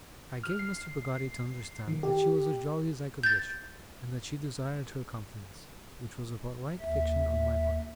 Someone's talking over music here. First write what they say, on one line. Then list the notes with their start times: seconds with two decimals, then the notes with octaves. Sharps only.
I gave Mr. Peggotty to understand that she was as jolly as I could wish, and that she desired her compliments--which was a polite fiction on my part.
0.44 F6
0.59 C7
1.88 D#3
2.03 G4
3.23 G6 A6
6.79 D#2 E5